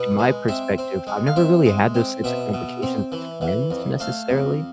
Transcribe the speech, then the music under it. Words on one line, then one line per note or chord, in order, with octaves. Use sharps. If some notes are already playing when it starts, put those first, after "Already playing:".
in my perspective, I've never really had those types of complications with friends necessarily.
Already playing: B2 B4
G#3
C4 E5
C4
G#3
F5
C4 E5
G#3
C4
B2 E5
B2
C4
E3
E3
F2
A3 F5
F2